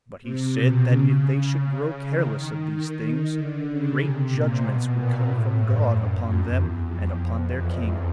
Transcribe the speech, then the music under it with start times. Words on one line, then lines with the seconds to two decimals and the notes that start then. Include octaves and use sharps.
But he said, that if they should grow careless of these things, great judgments would come from God upon them, and upon their king.
0.22 C3
0.54 B2
0.85 C#3
2.11 D#3
2.44 D#3
2.74 D#3
3.07 D#3
3.38 D3
3.70 C#3
4.01 C3
4.32 A#2
4.64 B2
4.96 A#2
5.27 A2
5.58 G2
5.90 F#2
6.22 F2
6.53 E2
6.85 F2
7.47 E2